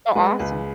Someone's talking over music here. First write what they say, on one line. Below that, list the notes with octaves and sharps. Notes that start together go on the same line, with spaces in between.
Oh, awesome.
G#3 B4
C#2 B4